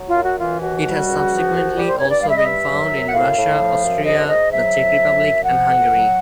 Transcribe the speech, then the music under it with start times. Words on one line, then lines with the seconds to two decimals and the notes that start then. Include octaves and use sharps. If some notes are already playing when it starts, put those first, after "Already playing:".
It has subsequently also been found in Russia, Austria, the Czech Republic, and Hungary.
Already playing: F#3
0.08 F4
0.15 F#2
0.23 F#4
0.38 E3 F4
0.61 D#2 F#4
0.84 G3
1.08 C#2
1.30 F3
1.53 C2
1.76 G3 G4
1.88 C5
1.98 G2 C#5
2.10 D5
2.22 G3 F5
2.30 E5
2.36 D#5
2.43 G2 E5
2.68 F#3
2.91 F#2
3.09 F#5
3.13 A2 F5
3.37 A2
3.60 F3
3.83 F#2
4.05 G#2 D#5
4.28 G#2 D#5
4.52 F#3 E5
4.74 F2
4.97 F#3
5.20 F#2
5.43 F3 F#5
5.67 D2
5.89 F#3